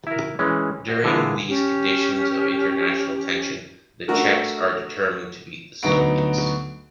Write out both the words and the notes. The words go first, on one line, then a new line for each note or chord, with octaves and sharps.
During these conditions of international tension, the Czechs are determined to beat the Soviets.
E4 A#4
E3 G#3 C#4
F#4 C5 D#5
D3 E3 G#3 E4 F4 A#4
C#4 G4
A3 D4 F#4 A#4
D2 F#3 B3 D#4 F#4 D7